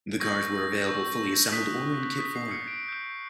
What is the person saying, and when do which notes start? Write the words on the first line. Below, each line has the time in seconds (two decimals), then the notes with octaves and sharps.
The cars were available fully assembled or in kit form.
0.20 C#6 E6 G6 A#6
0.86 C#6 E6 G6
1.52 D#6 F#6 B6
2.18 D#6 F#6 B6
2.35 C7
2.51 C#7
2.68 D7
2.84 D#6 G6